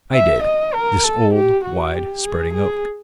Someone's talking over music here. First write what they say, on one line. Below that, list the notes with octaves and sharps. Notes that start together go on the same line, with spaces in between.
'I did; this old wide-spreading oak.
E5
D#5
A#4
A4
G4
F#4
G4
G#4
G#4